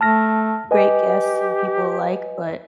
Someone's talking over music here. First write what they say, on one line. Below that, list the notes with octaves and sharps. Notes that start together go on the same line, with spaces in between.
great guests and people alike, but
A3 A5 F6 A#6
G4 B4 D#5 G#5